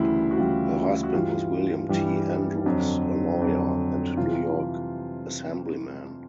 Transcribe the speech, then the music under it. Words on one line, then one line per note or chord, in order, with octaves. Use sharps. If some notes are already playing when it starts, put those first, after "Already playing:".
Her husband was William T. Andrews, a lawyer and New York assemblyman.
Already playing: D2 C#3 E3 G3 E4
F#4
D2 C#3 E3 G3 F4
F#4
G2 E3 G3 F4
G2 E3 G3
F2 D3 F#3
F2 D3 F#3
C3 E3 G3 F4